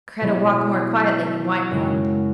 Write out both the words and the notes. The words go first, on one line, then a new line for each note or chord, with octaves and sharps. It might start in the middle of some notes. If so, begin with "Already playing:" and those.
Kreta walk more quietly than white man.
B2 F#3 B3 E4
F#2 C#3 G#3 C#4 E4